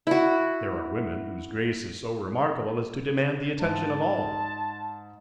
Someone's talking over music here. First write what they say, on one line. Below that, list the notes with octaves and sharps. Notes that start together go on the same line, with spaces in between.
There are women whose grace is so remarkable as to demand the attention of all.
E4 F#4
G#2 A5